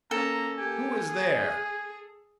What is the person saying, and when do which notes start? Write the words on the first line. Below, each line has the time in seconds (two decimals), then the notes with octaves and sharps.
Who is there?
0.11 A#3 C#4 A4 A#5
0.59 A#3 G4 G#5
1.11 G#4